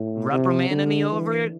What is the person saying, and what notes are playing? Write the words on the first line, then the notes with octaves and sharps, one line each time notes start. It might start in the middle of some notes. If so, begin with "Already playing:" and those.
reprimanding me over it,
Already playing: A2
C3
D3
E3